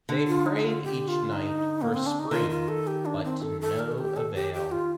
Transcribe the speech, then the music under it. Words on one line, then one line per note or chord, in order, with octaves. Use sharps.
They prayed each night for a spring, but to no avail.
D3
F4
D#4
F4
G4
F4
D#4
A#3
C4
D4
D#4
D#3 F4
F4
A4
G4
D4
C4
A4
A4
A#4
A4
G4
A4
G4
G4
F4